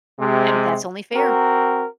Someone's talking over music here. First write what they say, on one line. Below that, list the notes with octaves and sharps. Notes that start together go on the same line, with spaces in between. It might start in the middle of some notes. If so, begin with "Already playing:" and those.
And, that's only fair.
C3 G#3
C4 F#4 A#4